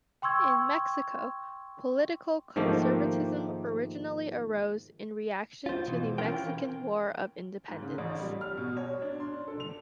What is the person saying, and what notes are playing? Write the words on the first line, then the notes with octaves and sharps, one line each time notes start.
In Mexico, political conservatism originally arose in reaction to the Mexican War of Independence.
G5 C6 C#6 E6 G#6
G#2 D#3 F3 A3 A#3 G4
F4 C5
B2 E3
E3 C#4 E4 F4 A#4 G5
G#2
C#3
A1
G3
F6
B2
C#5
D4
C6
D4
A4
F7